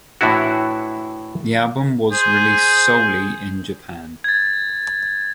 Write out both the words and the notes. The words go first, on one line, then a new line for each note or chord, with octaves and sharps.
The album was released solely in Japan.
A2 E3 D4 E4 F#4
G#4 C5
G#6 A6